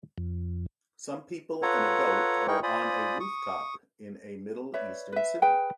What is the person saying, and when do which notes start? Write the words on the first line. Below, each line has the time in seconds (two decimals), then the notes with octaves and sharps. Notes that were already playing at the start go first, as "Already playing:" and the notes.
Some people and a goat are on a rooftop in a middle eastern city.
0.18 F2
1.62 F4 A4 B4 C#5 F#5 A#5
2.48 D#4 E4 G#4 A#4 G5 C#6
2.63 F4 C5 D5 G#5 B5 D#6
3.20 C#6 D#6
4.74 B4 C#5 D5 E5
5.12 B4 E5
5.42 G#4 B4 G5